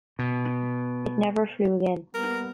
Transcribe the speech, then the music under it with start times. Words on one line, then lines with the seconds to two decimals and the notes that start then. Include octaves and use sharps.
It never flew again.
0.19 B2
2.14 G3 A#3 B3 A#4